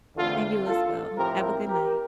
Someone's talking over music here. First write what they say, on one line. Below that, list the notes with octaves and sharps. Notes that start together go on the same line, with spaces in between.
And you, as well. Have a good night.
E2 D3 A3 C4 F4 A4
F4 A4
A2 F3 C4 G4 A#4
G4 A#4